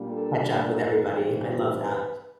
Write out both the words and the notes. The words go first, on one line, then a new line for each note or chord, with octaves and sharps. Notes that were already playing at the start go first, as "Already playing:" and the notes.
catch up with everybody. I love that.
Already playing: A#2 G3 A#3 D4
A4
A#4
G2 E3 G3 C4 D#4
B4
B4